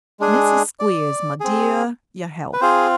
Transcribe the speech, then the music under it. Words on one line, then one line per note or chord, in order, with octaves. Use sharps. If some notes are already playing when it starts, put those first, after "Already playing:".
Mrs Squeers, my dear, your health!'
G#3 D4 G#4
D5
C4 G#4
B4
C4 F4 G#4 C5